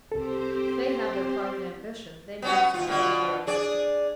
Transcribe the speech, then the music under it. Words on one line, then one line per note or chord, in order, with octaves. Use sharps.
If they have their private ambition, they may suppose they are wasted.
C2 C4 G4 A4 C5
B3 C#4 F#4
D#2 F4
B2 D3 F4
D4 G#4 D5